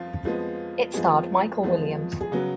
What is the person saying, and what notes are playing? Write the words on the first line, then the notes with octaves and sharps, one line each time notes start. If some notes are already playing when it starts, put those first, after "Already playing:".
It starred Michael Williams.
Already playing: F2 F3 F4
F2 F3 G#3 B3
F2 F3 G#3 B3 G#4
F2 F3 G#3 B3
G#4
C#3 F#3 B3 F#4